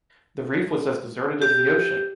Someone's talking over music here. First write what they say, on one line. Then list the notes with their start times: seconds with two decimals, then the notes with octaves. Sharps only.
The reef was as deserted as the Ocean!
1.42 G4